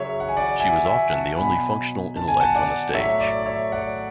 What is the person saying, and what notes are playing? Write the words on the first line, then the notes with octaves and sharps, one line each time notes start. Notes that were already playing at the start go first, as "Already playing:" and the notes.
She was often the only functional intellect on the stage.
Already playing: C#3 F#3 C#5 E5
F#5
G#5
D5 F#5
E5 G#5
E5 G#5
F#5 A5
B2 F#3 G#5 B5
A5
G#5
F#5 A5
D5 F#5
A2 F#3 C#5 E5
D5
D5
C#5 E5
D5 F#5